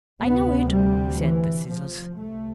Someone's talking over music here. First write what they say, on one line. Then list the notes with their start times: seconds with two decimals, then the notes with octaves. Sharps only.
"I know it," said the scissors.
0.21 D2 C3 B3
0.71 G3
1.19 E3
1.69 F3
2.18 C2 C3 A3